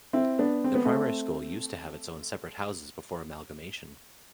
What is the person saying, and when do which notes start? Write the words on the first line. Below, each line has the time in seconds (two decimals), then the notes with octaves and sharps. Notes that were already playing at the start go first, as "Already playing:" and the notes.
The primary school used to have its own separate houses before amalgamation.
0.13 C4 E4
0.39 B3 D4
0.64 C4
0.75 B3
0.85 A3 C4